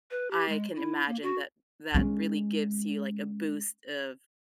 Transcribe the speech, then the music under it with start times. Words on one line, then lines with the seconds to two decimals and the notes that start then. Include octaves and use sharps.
I can imagine that that really gives you, like, a boost of,
0.11 B4
0.31 G4
0.49 G#3
0.75 E4
1.07 A#3
1.22 F#4
1.95 G#3 C#4